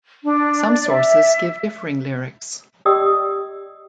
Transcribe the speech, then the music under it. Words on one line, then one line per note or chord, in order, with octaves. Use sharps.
Some sources give differing lyrics.
D4
D5
E5
G4 D5 D#5 G5 D#6 E6